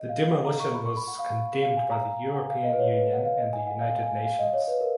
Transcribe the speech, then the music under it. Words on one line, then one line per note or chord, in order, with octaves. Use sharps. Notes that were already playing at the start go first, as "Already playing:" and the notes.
The demolition was condemned by the European Union and the United Nations.
Already playing: D#5
F5
F#5
A#5
C#6
B5
C#6
B5
F#5
F5
F5
G#5
A#5
G#5
F#5
F5
D#5
B4
C#5
B4
F#5
F5
D#5
G#5
F#5
F5
G#5
F5
D#5
C#5
B4
A#4